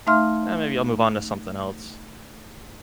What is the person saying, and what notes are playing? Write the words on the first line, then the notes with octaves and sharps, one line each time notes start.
"Eh, maybe I'll move on to something else."
A3 D#4 E5 F5 C6 F6